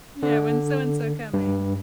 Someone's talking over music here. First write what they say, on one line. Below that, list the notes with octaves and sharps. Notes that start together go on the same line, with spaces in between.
Yeah, when's so-and-so coming.
D3
G2